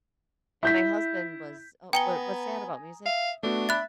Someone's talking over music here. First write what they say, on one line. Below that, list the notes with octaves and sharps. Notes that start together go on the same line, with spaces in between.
and my husband was Oh, what what's that about music?
E4 G6 B6
B3 G5 G#5 A#5 D#6 C#7 G7
E5 F5
A3 B3 D4 F#4
E5 B5 F#6 A6